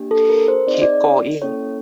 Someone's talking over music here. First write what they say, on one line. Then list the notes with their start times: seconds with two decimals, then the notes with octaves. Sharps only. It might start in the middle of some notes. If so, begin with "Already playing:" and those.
Keep going!
Already playing: A#3 D4 G4
0.11 A4
0.30 A#4
0.48 C5
0.67 C4 D#4 G#4 D5
0.74 D#5
0.82 D5
1.42 A#3 C#4 E4 A4 C#5